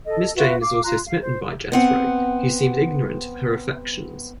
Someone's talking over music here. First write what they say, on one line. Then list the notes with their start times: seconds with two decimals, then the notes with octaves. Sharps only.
Miss Jane is also smitten by Jethro, who seems ignorant of her affections.
0.05 A4 D#5
0.36 F4 F#4 B4 E5
0.61 F5 D6
0.84 F4 A#5 C6 F#6
1.07 F5
1.22 C5
1.72 B3 C4 F#5